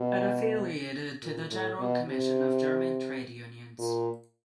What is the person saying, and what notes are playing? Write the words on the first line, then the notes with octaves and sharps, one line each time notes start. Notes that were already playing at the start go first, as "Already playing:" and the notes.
It affiliated to the General Commission of German Trade Unions.
Already playing: B2
A#2
A2
B2
C3
A#2